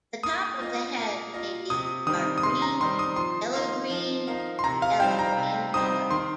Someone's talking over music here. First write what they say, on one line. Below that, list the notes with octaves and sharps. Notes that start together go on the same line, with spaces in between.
The top of the head maybe dark green, yellow-green or yellow in colour.
A#3 D#6
F4 D#5
A#3
F4 D#5
C3 D#6
D#3 G3 C4 D#4 D#6
D#6
C3 C6
A#5
D#3 G3 C4 D#4 C6
D#6
F3 C6
D#4 A#4 F5
F3
D#4 A#4 F5
C6
C3 A#5
F5
G3 C4 D#4 C5 G5
A#5
C3
G3 C4 D#4 C5 D#6
D#3 C6